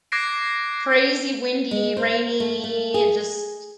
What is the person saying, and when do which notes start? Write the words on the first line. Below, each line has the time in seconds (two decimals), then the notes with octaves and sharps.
crazy windy, rainy, just
0.12 D6 F#6 G#6 A#6 C7 D7
1.71 G#3
1.97 C5
2.40 A3
2.64 A3
2.94 G#4